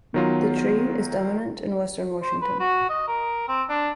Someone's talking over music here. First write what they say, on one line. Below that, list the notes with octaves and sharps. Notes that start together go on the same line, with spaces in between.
The tree is dominant in western Washington.
D#3 F#3 B3 F4
C5
B4
F#4
D#5
A#4
C4
D4